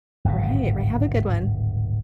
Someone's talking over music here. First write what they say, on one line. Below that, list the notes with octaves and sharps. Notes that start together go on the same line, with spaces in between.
Right, right. Have a good one.
D1 G#1 G2 B2